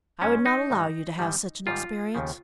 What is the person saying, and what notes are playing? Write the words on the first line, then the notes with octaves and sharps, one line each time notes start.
I would not allow you to have such an experience.
G#2 F3 C#4
D#4
G#2 D#3 G3
G#2 D#3 G3
G#2 D#3 G3 F4
D#2 C#3 F3